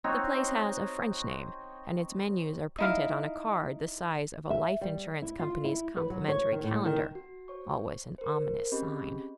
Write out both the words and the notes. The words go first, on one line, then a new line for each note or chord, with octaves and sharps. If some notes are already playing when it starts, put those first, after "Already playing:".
The place has a French name and its menus are printed on a card the size of a life insurance company's complimentary calendar, always an ominous sign.
C4 D#4 F#4 C#5
D#4 E4 F5
E5
G3
E4
F4
E4
B4
F#3
C#5
D#3
A2
D#3
F#4
C5 C#5 C#6
A#4 C5
C4 C#4 G4 G#4 D#5 B5